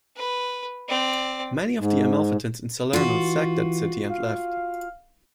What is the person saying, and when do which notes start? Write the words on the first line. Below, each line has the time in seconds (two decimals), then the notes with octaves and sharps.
Many of the Amalfitans in Salerno sacked that city and left.
0.16 B4
0.88 C4 D5
1.79 G#2
2.93 E3 F4 F#4
4.09 F5